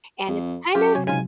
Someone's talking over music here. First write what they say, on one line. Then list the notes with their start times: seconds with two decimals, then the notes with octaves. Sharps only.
and it's kind of,
0.28 F2
0.75 F#2 F4 G4
0.95 C3 F#3 C#5 G#5
1.07 G#2 C#3 F4 G#5